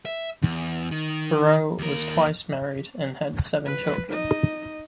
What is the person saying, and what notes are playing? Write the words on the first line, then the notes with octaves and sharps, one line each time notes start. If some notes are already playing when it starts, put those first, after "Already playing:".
Brough was twice married and had seven children.
E5
E2
D#3
D#2 A#4
B4
D#4 D#5